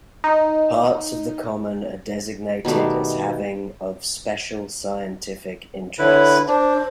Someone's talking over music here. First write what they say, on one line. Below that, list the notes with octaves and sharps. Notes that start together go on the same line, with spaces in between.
Parts of the common are designated as having of Special Scientific Interest.
D#4
B2 D#3 G3 A3
D3 E4 B4 C#5
D4 C5